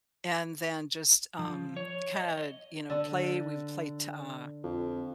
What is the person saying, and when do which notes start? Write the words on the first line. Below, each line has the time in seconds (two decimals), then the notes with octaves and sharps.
And then just, um, kinda, you know, play we've played, uh,
1.39 F3
1.77 C#5
2.16 D#5
2.90 D3
4.64 F2